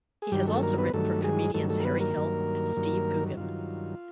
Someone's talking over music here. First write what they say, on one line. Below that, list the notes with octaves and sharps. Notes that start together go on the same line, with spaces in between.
He has also written for comedians Harry Hill and Steve Coogan.
G#4
G2 D#3 F#3 G3 G4
A3 A4
A#3 A#4
B3 B4
G2 D#3 F#3 A3 A4
G#3 G#4
G2 D#3 F#3 A3 A4
A3 A4
A#4
B3 B4
A#3 A#4
G2 D#3 F#3
G2 D#3 F#3
G2 D#3 F#3 F4